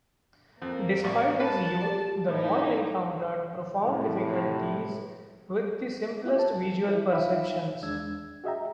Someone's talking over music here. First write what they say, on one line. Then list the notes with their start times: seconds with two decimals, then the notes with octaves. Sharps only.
Despite his youth, the boy encountered profound difficulties with the simplest visual perceptions.
0.62 F2 A#3 C5
1.04 A1 D5 C#6
1.40 A#4 B4 A5
1.81 G4 D5
2.28 A2 D#4 E4 A#4
3.83 C2 A2 C3 B4
6.25 E4 F4 G4 D5 E5
6.39 A5
6.87 E4
7.11 D#4 F4 E5 F5 G5 B5
7.82 E2 G#3 D4 E6 G#6
8.44 F#4 G#4 D#5 E5 G5 A#5